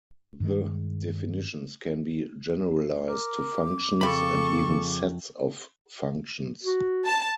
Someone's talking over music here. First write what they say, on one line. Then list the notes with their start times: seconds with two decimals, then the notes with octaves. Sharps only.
The definitions can be generalized to functions and even sets of functions.
0.40 G2 D#3 G#3
3.08 A#4 D6
4.01 F2 C#3 A4 B5 C#6
6.64 F#4
7.06 A5